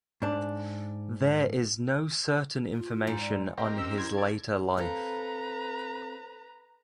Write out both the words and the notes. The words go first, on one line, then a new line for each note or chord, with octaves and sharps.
There is no certain information on his later life.
G#2 D4
F4
G#2
D5
C4 G4 A#4 D#5
C#4 E6
E4 C6 G#6
A4 D5
C4 A4 B4 F5 A#5